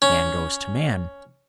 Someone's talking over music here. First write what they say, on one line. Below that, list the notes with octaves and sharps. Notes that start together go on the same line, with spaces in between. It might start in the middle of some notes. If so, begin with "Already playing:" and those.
Man goes to Man!
C#4